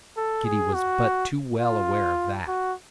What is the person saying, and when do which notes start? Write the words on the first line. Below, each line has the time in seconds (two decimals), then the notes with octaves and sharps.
Kitty was but too well aware of that.
0.17 A4
0.45 G#4
0.74 F#4
1.60 F4
2.47 F#4